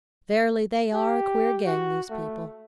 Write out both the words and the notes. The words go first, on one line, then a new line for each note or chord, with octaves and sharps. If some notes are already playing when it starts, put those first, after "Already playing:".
Verily, they are a queer gang, these people.
G4
F#4
A3